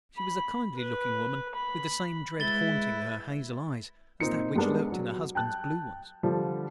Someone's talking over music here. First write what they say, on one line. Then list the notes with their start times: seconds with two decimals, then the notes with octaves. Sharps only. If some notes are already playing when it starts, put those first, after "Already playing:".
She was a kindly looking woman, with the same dread haunting her hazel eyes as that which lurked in her husband's blue ones.
0.16 B5
0.77 B4
1.55 B5
2.40 G#3 E4 B4 A6 G7
4.20 A#2 C4 D#4 C#7
4.55 G3 G#3 B3 D4 A#4
4.92 F#3
5.35 G5 A5 F#6
6.23 D3 F3 G3